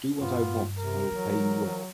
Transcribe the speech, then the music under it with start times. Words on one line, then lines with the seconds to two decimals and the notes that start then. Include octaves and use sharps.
Do what I want, and I will pay you well.
0.19 G2 B3 F4
0.78 C3 A#4
1.11 E3 F#3